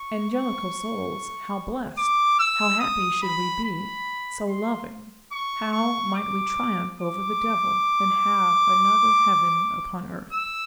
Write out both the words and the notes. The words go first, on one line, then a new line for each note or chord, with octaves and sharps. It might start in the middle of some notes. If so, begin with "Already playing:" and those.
"Angelical souls, how blessed, how happy should we be, so loving, how might we triumph over the devil, and have another heaven upon earth!"
Already playing: C#6
C#6
D6
E6
D#6
B5
B5
C6
C#6
C#6
D6
D6
E6